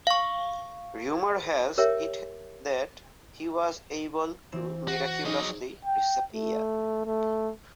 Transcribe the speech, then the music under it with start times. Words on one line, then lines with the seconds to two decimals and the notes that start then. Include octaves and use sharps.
Rumour has it that he was able to miraculously disappear.
0.07 F5 C#6
1.78 G4 A#4 C#5 E5 G5
4.52 E3 C4 E7
4.88 F#4
5.25 F#3 D#4 G#4 D#5
5.85 G5
6.34 A3
7.06 A3